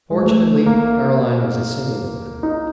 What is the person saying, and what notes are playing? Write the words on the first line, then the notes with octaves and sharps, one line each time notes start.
Fortunately, Caroline was a single woman.
G#3
A3
A#3
D#4